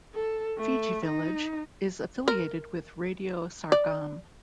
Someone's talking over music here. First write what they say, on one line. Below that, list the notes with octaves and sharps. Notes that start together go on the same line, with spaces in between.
"Fijivillage" is affiliated with Radio Sargam.
A4
A3
D#4
A#4
D5